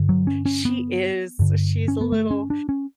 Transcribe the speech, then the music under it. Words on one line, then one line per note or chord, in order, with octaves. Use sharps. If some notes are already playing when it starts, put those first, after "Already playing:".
she is she's a little
Already playing: G2 D3
F#3
C#4
C#4
B3
G2 D3
C#4
B3
A3
C#4
D4
C#4